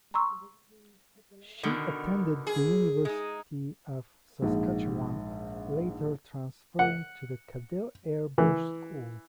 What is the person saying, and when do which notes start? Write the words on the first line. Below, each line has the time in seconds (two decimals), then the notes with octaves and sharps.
She attended the University of Saskatchewan, later transferring to the Kadel Airbrush School.
0.14 A#5 C6 C#6 E6
1.63 B2 D3 D#3
2.47 G#4
3.05 G#3 D#4
4.42 A#1 G#2
6.79 F#5
8.38 E3